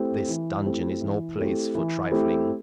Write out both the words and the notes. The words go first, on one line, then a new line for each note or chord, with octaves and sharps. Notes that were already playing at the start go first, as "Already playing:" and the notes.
This dungeon is no place for trifling.
Already playing: A3 C4 E4 G4
E3
A3 C4 E4 G4
E3
A3 C4 E4 G4
E3
A3 C4 E4 G4